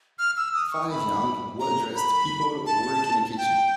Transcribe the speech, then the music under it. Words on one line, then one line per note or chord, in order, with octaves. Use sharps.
Five young, welldressed people work in a kitchen.
F6
E6
D#6
C#6
B5
A#5
B5
A5
G5